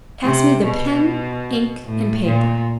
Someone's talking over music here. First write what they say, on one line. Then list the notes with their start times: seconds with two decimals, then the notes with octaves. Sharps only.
"Pass me the pen, ink, and paper."
0.24 C3
0.64 B2
1.85 A2
2.25 A#2